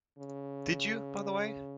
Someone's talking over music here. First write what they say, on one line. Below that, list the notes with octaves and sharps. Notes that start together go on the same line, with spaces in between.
Did you, by the way?
C#3